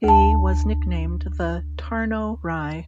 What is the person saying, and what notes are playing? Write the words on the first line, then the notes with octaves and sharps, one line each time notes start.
He was nicknamed the "Tarno Rye".
D2 A5